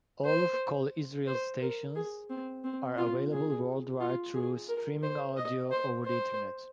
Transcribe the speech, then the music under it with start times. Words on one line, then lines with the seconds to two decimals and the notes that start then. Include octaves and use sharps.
All of Kol Israel's stations are available worldwide through streaming audio over the Internet.
0.25 C5
1.27 C5
1.61 A#4
1.96 G#4
2.30 C4
2.64 C4
2.98 F4
3.32 G#4
4.00 F4
4.35 G#4
4.68 A#4
5.03 C5
5.37 D#5
5.71 C5
6.05 C5